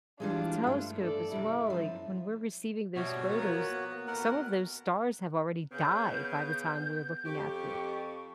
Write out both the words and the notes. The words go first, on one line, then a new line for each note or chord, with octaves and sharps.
the telescope as well, like, when we're receiving those photos, some of those stars have already died by the time we're looking at those.
E3 G3 G#3 D4 F4
G2 A3
A4 D5
C3 G3 E4
F#2 F3
B2 G3 F#4 G4 C#5 D5 E5
F3 B3 A#4
A#3
A1 D#2 B2 A#4 F#5
C#3 B3 G6
F2 G4 C#6